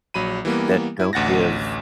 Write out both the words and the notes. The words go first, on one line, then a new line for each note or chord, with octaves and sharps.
that don't give
A#1 F#3 B5 D#7
E3 G3 A#3 B3
E4
A1 D2 F#5 A6 A#6